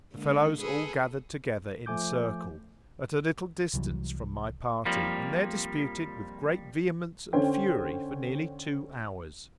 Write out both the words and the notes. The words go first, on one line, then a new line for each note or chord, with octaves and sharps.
The fellows all gathered together in circle, at a little distance from my party, and there disputed with great vehemence and fury for nearly two hours.
D3 G#3 A#3
G#4 A4 B4
F3 A3 G#5 D6 G6
C2 E3 F#3 G3
F2 F3 G3 A#3
D3 C#4 C5 G5